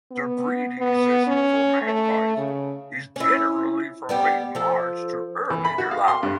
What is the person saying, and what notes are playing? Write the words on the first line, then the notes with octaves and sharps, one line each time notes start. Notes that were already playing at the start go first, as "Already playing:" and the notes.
The breeding season for magpies is generally from late March to early July.
B3
B3
C#4
A3
C#3
C#4 E4
G3 B3 G4
F3 A4
E3
B5
F#4
F5
C6
G2